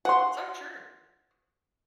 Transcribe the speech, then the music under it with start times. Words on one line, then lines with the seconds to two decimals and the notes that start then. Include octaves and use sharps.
So true.
0.05 F#5 C6